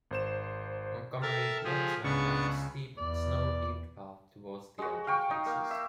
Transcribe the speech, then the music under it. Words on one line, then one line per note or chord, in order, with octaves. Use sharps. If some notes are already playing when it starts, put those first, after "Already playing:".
Montgomery led his men down the steep, snow-heaped path towards the outer defenses.
G#1 C5 E7
A4 A#4 E5 G5 A5 F6
F3 G4 G#4
C#2 C#3 B3 D4 C#6
E2 D5
G#3 F#4
F5 G5 C#6
D#4
A#3
E5